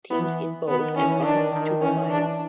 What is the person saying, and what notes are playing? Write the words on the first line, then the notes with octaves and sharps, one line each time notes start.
Teams in Bold advanced to the final.
E3 B3
D#3 B3
E3 C#4
D#3 D4
D#3
E3 C#4
D4